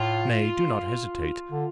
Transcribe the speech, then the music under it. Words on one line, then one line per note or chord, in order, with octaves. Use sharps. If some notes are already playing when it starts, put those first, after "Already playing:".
Nay, do not hesitate.
Already playing: A2 F4
D3